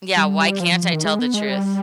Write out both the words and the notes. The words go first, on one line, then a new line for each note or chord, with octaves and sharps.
Yeah, why can't I tell the truth?
G3
F3
F3
F3
D#3
G#3
B3
G#3
G3